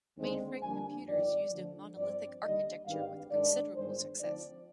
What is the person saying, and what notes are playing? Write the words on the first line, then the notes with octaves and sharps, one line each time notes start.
Mainframe computers used a monolithic architecture with considerable success.
D#2 D3 G#3 C4
F2 D3 G3 A#3 D4 G#5
G1 F2 D#3 D5
D2 D3 F3
G2 F3 C4 D5
D#2 D3 G3 D#5
G#1 G2 D#3 G3 F5
G#2 D#3 G#3 D4 D5
G1 G2 D#3 G#3 C5
D2 D3 F3 C4 D#4 D5